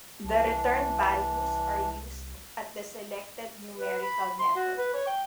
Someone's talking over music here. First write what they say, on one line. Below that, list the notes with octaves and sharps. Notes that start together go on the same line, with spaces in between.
The returned values are used at the selected numerical method.
C2 E3 D4
B4
B5
C6
F#4
B4
C#5
G5